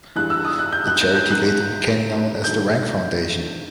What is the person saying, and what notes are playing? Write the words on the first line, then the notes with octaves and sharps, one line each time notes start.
The charity later became known as The Rank Foundation.
G2 E3 G#3 F#6
E6
D#6
F#6
G6
F#6
G6
G6
F#6
G2 D#3 F#3 A3 G6